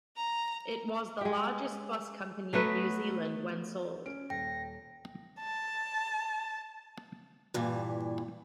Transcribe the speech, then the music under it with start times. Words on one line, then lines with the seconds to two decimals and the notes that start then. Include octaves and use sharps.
It was the largest bus company in New Zealand when sold.
0.16 A#5
1.21 G#3 G4
2.53 F#3 A3 B3 B4
4.06 C#4 D7
4.30 D#1 G5 A#6
5.40 A5
7.54 G2 A#2 E3